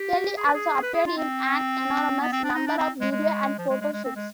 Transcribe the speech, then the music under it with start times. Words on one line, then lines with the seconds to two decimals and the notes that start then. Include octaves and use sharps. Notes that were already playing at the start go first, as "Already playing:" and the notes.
Kelly also appeared in an enormous number of video and photo shoots.
Already playing: G4
0.38 G#4
0.46 B4
0.54 G#4
0.83 B4
0.94 G#4
1.06 F4
1.18 C4
2.21 B3
2.33 C4
2.44 D4
2.55 D#4
2.67 D4
2.78 C4
3.01 G#3
3.12 G#3
3.59 F3
3.70 G#3
3.81 G#3
3.93 G#3
4.05 C4
4.16 G#3